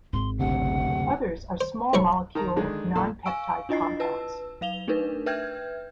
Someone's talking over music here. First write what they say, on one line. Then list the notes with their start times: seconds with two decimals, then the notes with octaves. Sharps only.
Others are small-molecule, non-peptide compounds.
0.13 G#1 C6
0.39 F#1 D2 C3 F#5
1.61 C5
1.93 B1 F#3 C5 E5 C#6
2.35 D#3 A#4 A#5
2.56 D3 D#3 G#3
2.95 A#2 F3 A4 A5 C6
3.25 F5 G#5 C#6 E6 D7
3.69 D4 E4 F4 D#5 A6 C7
4.00 B4 A5 E6
4.61 F#3 F5 F7 G7
4.88 A3 D4 D#4 A#4 B4
5.26 B4 E5 G5 F6 G6 G#6